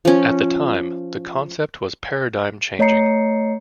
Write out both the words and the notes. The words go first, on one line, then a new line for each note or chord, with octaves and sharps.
At the time, the concept was paradigm changing.
F3 C#4
A3 C#5 D#5 A#5 C7 C#7